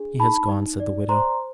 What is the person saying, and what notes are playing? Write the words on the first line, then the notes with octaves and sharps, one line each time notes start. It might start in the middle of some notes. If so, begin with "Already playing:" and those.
"He has gone," said the widow.
Already playing: D4 G#4
D#4 A5 B5
D#4
D5
C5 A#5 C6